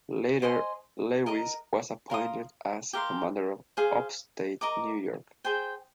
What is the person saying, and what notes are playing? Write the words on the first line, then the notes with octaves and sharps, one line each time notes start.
Later, Lewis was appointed as commander of upstate New York.
C5 D#5 G#5 C6
A#4 D#5 A#5
A#4 F5 C6 D#6
G4 A#4 F5 C6
G#4 C5 F5
A#4 D#5 A#5 D6
G#4 C5 G5